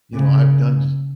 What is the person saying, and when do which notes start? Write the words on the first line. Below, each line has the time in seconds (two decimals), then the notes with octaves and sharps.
you know, I've done j
0.14 C#3